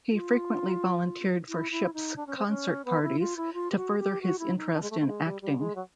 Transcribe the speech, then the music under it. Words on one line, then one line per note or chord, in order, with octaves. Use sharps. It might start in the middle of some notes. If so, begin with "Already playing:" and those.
He frequently volunteered for ships' concert parties to further his interest in acting.
F4
E4
E4
D#4
D4
C#4
C4
C#4
B3
E4
F4
E4
F4
G4
F#4
G4
F#4
E4
D#4
D4
G#3
A3
A3
G#3
G3
G3
G#3
F#3